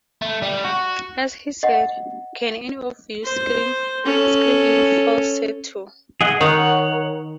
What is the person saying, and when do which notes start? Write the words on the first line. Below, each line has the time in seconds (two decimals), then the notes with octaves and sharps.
And he said, 'Can any of you scream, scream in falsetto.
0.22 A3
0.42 G3
0.64 F#4
1.63 D#5 F#5
3.25 C5
4.05 C#4 A4
6.21 G#4 D#5 F#5
6.41 D#3 C#5 F#5